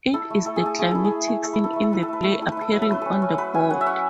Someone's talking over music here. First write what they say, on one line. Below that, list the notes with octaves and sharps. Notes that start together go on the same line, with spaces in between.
It is the climactic scene in the play appearing on the board.
E4 A4
A3
A3 A4
G#4
A3 A4
A3 G#4
E4 A4
G#4
A3
A3
A3 A4
B4
E4 A4
A3 B4
A4
E4 B4
A4
A3 B4
A3 A4
B4
E4 A4
B4
E4 A4
F#3 B4
A4
A3 B4
C#4 A4
C#4
F#3 B4
C#4 G#5
F#3 F#5
E5
C#4 F#5